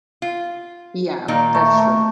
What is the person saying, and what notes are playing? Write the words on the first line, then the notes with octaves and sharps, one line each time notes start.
Yeah, that's true.
F4
A#2 D#3 D#4
A3